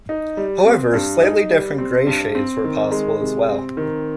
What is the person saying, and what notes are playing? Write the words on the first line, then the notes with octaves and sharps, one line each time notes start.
However, slightly different grey shades were possible as well.
D#4
G3
C4
G2
D#4
G3
C4
G2
C4
D#3
G#3
C3
C4
D#3